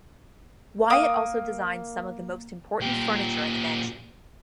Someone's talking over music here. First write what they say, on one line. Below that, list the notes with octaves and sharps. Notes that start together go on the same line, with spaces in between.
Wyatt also designed some of the most important furniture in the mansion.
A#3 D#6
A#2 G4